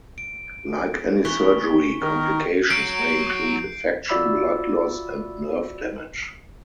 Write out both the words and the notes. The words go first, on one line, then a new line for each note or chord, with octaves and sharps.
Like any surgery, complications may include infection, blood loss, and nerve damage.
D7
E3 C#6 B6 G7
D#3 A#4 C#6
F#3 G6 C7 D7
F4 F#4 D5 E5 B5 E6